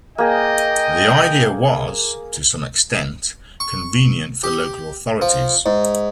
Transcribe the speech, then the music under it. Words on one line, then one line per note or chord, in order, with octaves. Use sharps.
This idea was, to some extent, convenient for local authorities.
A#3 G#4 D#5 G5
C#6
G4
F3
G#2